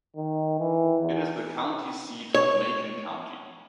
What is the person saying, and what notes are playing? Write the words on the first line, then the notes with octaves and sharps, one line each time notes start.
It is the county seat of Macon County.
D#3
E3
E2
C#5